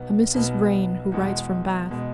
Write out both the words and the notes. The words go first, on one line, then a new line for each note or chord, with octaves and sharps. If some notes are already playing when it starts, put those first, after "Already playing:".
"A Mrs. Vrain, who writes from Bath."
Already playing: B1 B2 B3
B1 B2 B3
E2 B2 G#3
B2 G#3